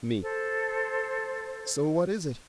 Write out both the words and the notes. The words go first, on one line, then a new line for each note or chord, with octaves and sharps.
ME: So what is it?
A4 C5